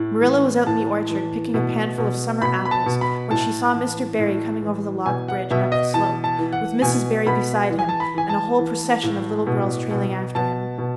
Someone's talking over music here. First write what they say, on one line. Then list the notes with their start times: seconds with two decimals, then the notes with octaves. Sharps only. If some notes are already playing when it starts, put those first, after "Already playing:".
Marilla was out in the orchard picking a panful of summer apples when she saw Mr. Barry coming over the log bridge and up the slope, with Mrs. Barry beside him and a whole procession of little girls trailing after him.
Already playing: A2
0.21 E3
0.66 A2 A5
1.10 E3
1.54 B2
1.98 B2
2.42 B2 B5
2.65 B5
2.71 A5
2.86 B2
3.01 B5
3.30 A2 A5
3.74 E3
4.19 A2
4.62 E3
5.06 B2 G#5
5.28 F#5
5.51 B2 E5
5.72 D#5
5.94 E3 A5
6.24 A5
6.39 E3
6.53 F#5
6.82 B2 G#5
7.26 B2 B5
7.70 E3
7.79 G#5
7.89 A5
8.00 B5
8.14 E3 G#5
8.29 A5
8.59 E3
9.03 A2
9.47 B2
9.91 B2
10.35 B2 A5
10.78 B2